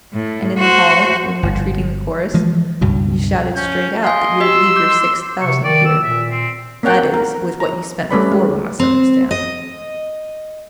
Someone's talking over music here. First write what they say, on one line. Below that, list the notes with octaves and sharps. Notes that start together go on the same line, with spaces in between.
And in the hall, when you were treating the chorus, you shouted straight out that you would leave your sixth thousand here--that is with what you spent before, we must understand.
A2
F#4 C5
G1
E3 F3 G#3
C#2 G2 B2
C#4 G6
D#5 F5 G#5 C6
G4 D#5 E6 B6
D6 G6
C3 C#6
D#3 D5
E6
A#2 E5
C4
A#3 C4 C#5 F#5 G5
A#4
A#5
G3 A3 C#4 B4 D5 B5
G#3
C4
D#5